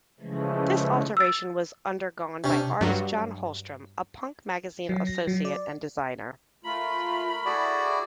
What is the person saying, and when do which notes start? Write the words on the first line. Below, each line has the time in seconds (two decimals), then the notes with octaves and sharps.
This alteration was undergone by artist John Holmstrom, a "Punk" magazine associate and designer.
0.20 C#3 E3 F3 G#3 A3
1.17 E6 A6
2.44 C3 C#4 D4
2.81 G2 F#3
4.89 F#3
5.07 A#6
5.27 F#3
5.45 D5
6.64 A3 F4 A#4 B5
7.45 E4 F#4 G#4 A4 D5